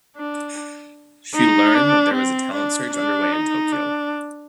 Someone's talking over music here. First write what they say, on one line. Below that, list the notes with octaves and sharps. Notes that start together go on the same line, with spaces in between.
She learned that there was a talent search underway in Tokyo.
D4
D#4
D4
C4
D4
D4
D#4
D4